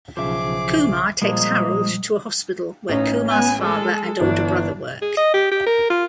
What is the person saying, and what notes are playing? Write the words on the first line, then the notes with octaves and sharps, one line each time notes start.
Kumar takes Harold to a hospital where Kumar's father and older brother work.
B1 C#3 F3 G#4 C5 E5 D6
A#2 F3 G3 G#3 A#3
A1 C#4 D#4
B3 G#5
G#3 A4
G1 E3 D4
G#4
D#5
G4
G4
A#4
F4